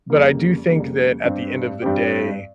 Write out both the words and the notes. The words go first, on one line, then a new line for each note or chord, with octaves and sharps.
But I do think that at the end of the day,
F2 C#3 G3 A#3
F2 C#3 G3 A#3
G2 G3 C4 G4
G2 G3 C4 G4